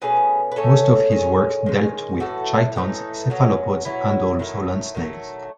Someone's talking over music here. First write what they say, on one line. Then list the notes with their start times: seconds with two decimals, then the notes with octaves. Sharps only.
Most of his work dealt with chitons, cephalopods, and also land snails.
0.02 B2 A3 C#4 G#4 B4
0.52 B4
0.56 B2 A3 C#4 A4 C#5
1.11 D#3 G#3 C#4
1.66 D#3 G#3 C#4
2.20 A2 E3 A3 F#4 A4
2.76 A2 E3 A3 D#4
3.30 B2 F#3 C#4
3.85 B2 F#3 C#4 E4
4.39 D#3 F#3 A3
4.95 D#3 F#3 A3